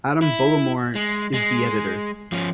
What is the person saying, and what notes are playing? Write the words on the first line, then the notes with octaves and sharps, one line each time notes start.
Adam Bullimore is the editor.
E4
G#3
G#3
F3 C#4